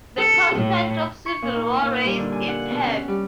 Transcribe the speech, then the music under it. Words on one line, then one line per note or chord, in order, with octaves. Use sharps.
The prospect of civil war raised its head.
A4
A2
C#6
A#2
D#4
A#2
G3
D3
G#5
F#5
B2
C#4
G3